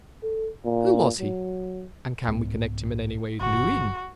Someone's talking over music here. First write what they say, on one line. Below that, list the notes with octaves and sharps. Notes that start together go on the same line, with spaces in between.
Who was he? and can we connect him in any way with New Inn?
A4
A#2
F#3
C2 G#2 B3
G1 F#4